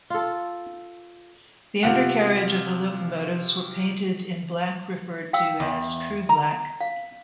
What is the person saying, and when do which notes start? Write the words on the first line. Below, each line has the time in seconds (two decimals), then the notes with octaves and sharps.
The undercarriage of the locomotives were painted in black referred to as True Black.
0.10 F4 A4
1.83 C3 F4 F#5
5.33 F5 G5 E6
5.60 E2
6.29 A#5
6.81 F5